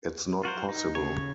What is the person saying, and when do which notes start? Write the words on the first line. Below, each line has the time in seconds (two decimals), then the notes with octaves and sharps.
It's not possible.
0.43 F4 F#4 A#4 C5
0.69 D#4
0.95 C#3 C#5